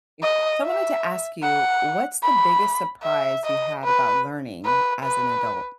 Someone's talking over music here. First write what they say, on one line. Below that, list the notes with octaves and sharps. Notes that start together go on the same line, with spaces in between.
Mm, so I wanted to ask you, what's the biggest surprise you had about learning as an adult?
D#5
E5
F#5
B5
E5
D#5
B4
B4
B4